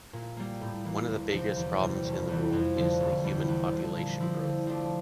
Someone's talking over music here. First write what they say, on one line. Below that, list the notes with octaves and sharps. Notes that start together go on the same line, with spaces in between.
One of the biggest problems in the world is the human population growth.
A#2
G3 A#3
A2
E3 A#3
D2
C3 F3 C4 G4
E2
C3 G3
E1
E2 E3
F2
D3 F3
E1
E2 E3 G3
E2
D3 F3 A3
A#2
F3 C4 E4
D3
F3 A3 D4